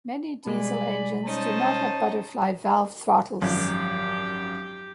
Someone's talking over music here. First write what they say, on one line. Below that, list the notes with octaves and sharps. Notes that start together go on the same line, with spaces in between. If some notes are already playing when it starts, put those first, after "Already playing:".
Many diesel engines do not have butterfly valve throttles.
B2 G3 G#3 D5 G#5 B5
C#4 D#4 C5 A5
G#1 F#2 F3 G4